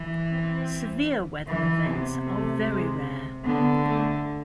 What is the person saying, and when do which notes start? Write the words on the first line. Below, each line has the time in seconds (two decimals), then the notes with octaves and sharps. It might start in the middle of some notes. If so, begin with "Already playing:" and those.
Severe weather events are very rare.
Already playing: E3
0.29 C4
1.48 E3
1.87 C3 B3
2.27 A3
2.65 G#3
3.44 D3 B3
3.83 A3